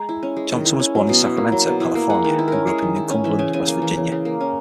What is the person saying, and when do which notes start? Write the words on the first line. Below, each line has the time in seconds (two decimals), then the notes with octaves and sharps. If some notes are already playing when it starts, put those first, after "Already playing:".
Johnston was born in Sacramento, California, and grew up in New Cumberland, West Virginia.
Already playing: G#3 A#5
0.09 E4
0.23 C#4
0.37 G#3
0.52 D#3
0.65 E4
0.80 C#4
0.95 F#3
1.09 B2
1.23 E4
1.37 A#3
1.52 F#3
1.67 B2
1.80 E4
1.95 A#3
2.10 G#3 F#5
2.24 D#3 B4
2.39 E4
2.48 C#4 A#4
2.67 G#3 G#4
2.82 D#3
2.96 E4
3.10 C#4
3.24 E3 E5
3.39 C#3 G#5
3.54 C#3 G#5
3.67 A#3 G#5
3.82 E3
3.97 C#3
4.12 C#3
4.25 A#3
4.41 C#4